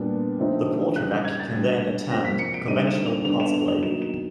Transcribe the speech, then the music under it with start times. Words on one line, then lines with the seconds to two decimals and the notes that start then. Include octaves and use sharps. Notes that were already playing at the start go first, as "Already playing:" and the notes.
The quarterback can then attempt a conventional pass play.
Already playing: A#2 G3 B3 D4
0.39 D3 F3 A3 C4 D#4
0.96 C#3 E3 G3 F#6
1.11 G6
1.25 G#6
1.40 A6
1.53 B2 G3 B3 D4
2.11 C3 F3 A#3 A#6
2.25 B6
2.39 C#7
2.54 D7
2.68 D3 G3 C4 D#4 D#7
2.87 E7
3.06 F7
3.25 D3 G3 B3 D4 F7
3.40 E7
3.53 F7
3.68 F7
3.82 B2 F#3 A#3 D#4 E7
4.02 E7